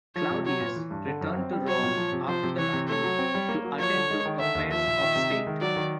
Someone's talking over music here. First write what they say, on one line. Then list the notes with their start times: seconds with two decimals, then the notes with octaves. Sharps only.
Claudius returned to Rome after the battle to attend to affairs of state.
0.15 F3 C#5
0.30 C3
0.46 F#3 C#5
0.60 A#2
0.76 E3
0.91 G2
1.06 D3
1.21 F#2
1.37 C4
1.53 G3
1.67 F#3 C#5
1.83 A#2
1.97 F3
2.12 C3
2.27 F3 C5
2.43 C3
2.58 E3 C#5
2.73 C3
2.88 A3 C#5
3.04 F#3
3.18 C4
3.34 G3
3.49 A#3
3.64 F#3
3.79 F3 C#5
3.94 D3
4.10 G#3
4.26 D#3
4.40 D3 E5
4.55 D#2
4.71 F3 E5
4.86 A#2
5.01 D#3
5.16 C3
5.31 G#3
5.47 D#3
5.61 F#3 D5
5.76 D#3